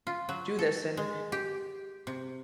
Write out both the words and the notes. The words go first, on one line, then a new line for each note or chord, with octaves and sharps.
do this and,
F4
F#3
A4
G#3
G4
C3